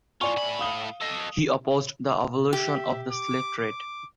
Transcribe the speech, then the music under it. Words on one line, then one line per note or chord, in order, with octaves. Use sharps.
He opposed the abolition of the slave trade.
A2 F4 D5 G#5 C#6
A2 B5
F5 D#6 G7
A4 D#5
G4 E5
D6
D6